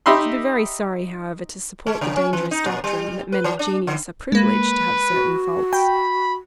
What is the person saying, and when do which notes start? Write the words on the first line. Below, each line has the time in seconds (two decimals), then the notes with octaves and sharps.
I should be very sorry, however, to support the dangerous doctrine, that men of genius are privileged to have certain faults.
0.06 D#4 G4 E5 B5 C6
1.87 G#3
2.01 C#3
2.16 C#4
2.33 E3
2.51 D#4
2.66 A#2
2.84 G3
3.32 B4
3.44 E3
3.59 D4
3.87 D3
4.32 G#3 A#3 B4
5.11 F#4
5.73 G5 B5